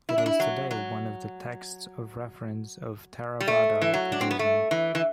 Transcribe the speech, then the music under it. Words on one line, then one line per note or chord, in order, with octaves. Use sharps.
It is today one of the texts of reference of Theravada Buddhism.
E4
D4
E4
F#3
F#3
G3
A3
E3
F#3
D4
C4
B3
A3
E3
E3